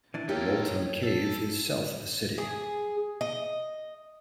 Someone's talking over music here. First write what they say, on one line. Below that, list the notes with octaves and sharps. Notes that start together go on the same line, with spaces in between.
Loltun Cave is south of the city.
E3 D4
A#3 D#4 E4 G4 A4 C#5
A4
G#4
D#5